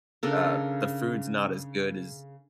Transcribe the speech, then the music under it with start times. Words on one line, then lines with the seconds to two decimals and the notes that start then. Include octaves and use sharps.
uh, the food's not as good as"
0.23 C#3 D4 A4 A#4